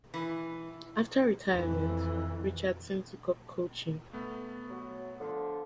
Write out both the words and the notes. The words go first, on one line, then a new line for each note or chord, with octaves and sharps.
After retirement, Richardson took up coaching.
E3
F2 E3
A3 B3
F#3
D3 F3